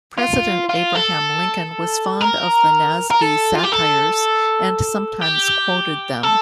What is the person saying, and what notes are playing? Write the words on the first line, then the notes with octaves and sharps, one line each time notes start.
President Abraham Lincoln was fond of the Nasby satires and sometimes quoted them.
F4
F4
A4
A#4
A#4
A4
F4
G4
A4
G4
A4